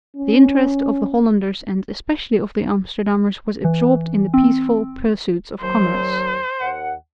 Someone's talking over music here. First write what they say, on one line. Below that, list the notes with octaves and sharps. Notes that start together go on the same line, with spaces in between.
The interest of the Hollanders and especially of the Amsterdammers was absorbed in the peaceful pursuits of commerce.
C#4
E3
C4
D#2 F#3 C5
D#2 F#5